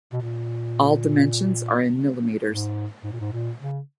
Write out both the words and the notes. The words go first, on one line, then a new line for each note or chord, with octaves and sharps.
All dimensions are in millimeters.
B2
A#2
G#2
G#2
A#2
G#2
A#2
C#3